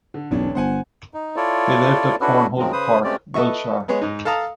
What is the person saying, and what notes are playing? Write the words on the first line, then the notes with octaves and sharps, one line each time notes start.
They lived at Conholt Park, Wiltshire.
D3
E1 B1 C#4 D4
G1 C5 F#5 G#5
D#4
E4 F4 A4 C#5 D5
C#4 D4 E4 F#4 A4 B4
F#2 D#3 F3 F#3 G#3 C4
C#3 B4 C5 D#6
G#3 A3 C4 C#4 G4 D5
A4 B4 D#5 E5 C#6
G#3 B3 G#4 C#5
G#2 D#4
A4 F5 A5 A#5 D#6